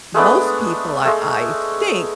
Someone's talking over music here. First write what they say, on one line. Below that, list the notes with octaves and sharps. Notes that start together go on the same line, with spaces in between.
most people I I think
G#3 A3 B3 D4
G#3 A3